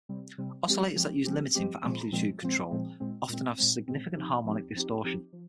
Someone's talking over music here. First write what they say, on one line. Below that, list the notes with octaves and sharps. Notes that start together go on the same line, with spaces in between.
Oscillators that use limiting for amplitude control often have significant harmonic distortion.
C3 G3 C4
C3 G3 C4
F3 G#3 C4 G4
F3 G#3 C4 G4
F3 G#3 C4 G4
F3 G#3 C4 G4
A#2 F3 G#3 C4
A#2 F3 G#3 C4
A#2 F3 G#3 C4
A#2 F3 G#3 C4
A#2 G#3 C4
A#2 G#3 C4
A#2 G#3 C4
A#2 G#3 C4
F3 C4 D#4 G4
F3 C4 D#4 G4
F3 C4 D#4 G4
F3 C4 D#4 G4
F3